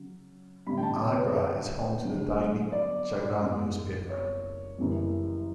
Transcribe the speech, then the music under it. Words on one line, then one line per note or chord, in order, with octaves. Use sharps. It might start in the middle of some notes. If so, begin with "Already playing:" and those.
Agra is home to the "Dainik Jagran" newspaper.
Already playing: C#3 F#3
A1 G2 D3 G3 B5
G5
A5
C#5
B4
B4
G1 G2 F#3
D5
F#1 E2 C#3 G3
C#5
F#1 F#2 E3 G3